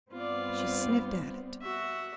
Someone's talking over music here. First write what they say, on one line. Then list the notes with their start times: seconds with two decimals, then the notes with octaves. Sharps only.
She sniffed at it.
0.12 G2 B3 C4 F4 D5
1.62 F#4 E5